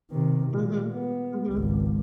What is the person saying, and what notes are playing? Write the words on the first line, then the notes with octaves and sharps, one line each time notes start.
Mhm, mhm.
C3 D#3
A#2
B3
G#1 C#2